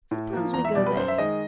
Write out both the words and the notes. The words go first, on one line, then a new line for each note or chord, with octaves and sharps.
Suppose we go there.
A2
F3 A#3
E2 A#5
E5
B2 G3 D5
B4
F#2 C5
E5
D#3 G#3 D#5